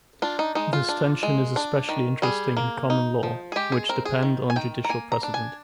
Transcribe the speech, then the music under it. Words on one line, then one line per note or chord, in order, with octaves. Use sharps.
This tension is especially interesting in common law, which depend on judicial precedent.
D4 F4
D#4
G#3 D#4
F4
D4
G#3
D4
D#3
G3 G#4
A#3
D#4
F3
G#4
G#3 G4
G#4
C4 A#4
G#4
D#3
G#5
D#3 G5
A#5
A#3 G#5
A#5
D4
G#5